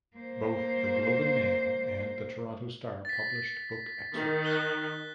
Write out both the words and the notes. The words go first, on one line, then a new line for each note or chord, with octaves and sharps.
Both "The Globe and Mail" and the "Toronto Star" published book excerpts.
A#3 C5
A6 B6
D#3
F#6 G7